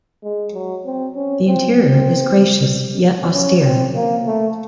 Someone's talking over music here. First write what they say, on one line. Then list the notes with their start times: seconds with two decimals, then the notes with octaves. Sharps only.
The interior is gracious yet austere.
0.23 G#3
0.54 F#3
0.85 C4
1.16 C#4
1.47 C4
1.78 C4
3.33 C#4
3.64 C4
3.95 A#3
4.26 A3